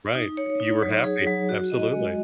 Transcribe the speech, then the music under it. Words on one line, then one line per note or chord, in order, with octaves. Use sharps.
Right, you were happy, absolutely.
D#4
C#5
D#4
F#3
G#4
F#3
F#4
D#5
G#3